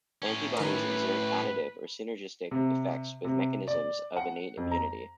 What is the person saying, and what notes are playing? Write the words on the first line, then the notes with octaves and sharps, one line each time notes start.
Antibodies exert additive or synergistic effects with mechanisms of innate immunity.
A2 C#4
D#3 A#4 B4
C3
C3
D5
F#5
F2
A#5